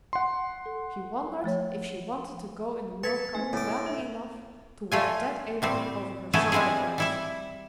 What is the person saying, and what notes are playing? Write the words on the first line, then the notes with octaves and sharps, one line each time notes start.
She wondered if she wanted to go in the milk cart badly enough to wear that apron over her Sunday dress!
F#5 C6
A4
F3 A3 C#5
B4 A5 G#6 B6 C#7
A3 A#3 C4 G#5
A2 D6 A6
E5
A3 F4 G#5
A2 G3 C4
A3 B3 C#4 E4 G#4 A4
G3 G#3 C4 E4 G#4
G3 E4 E5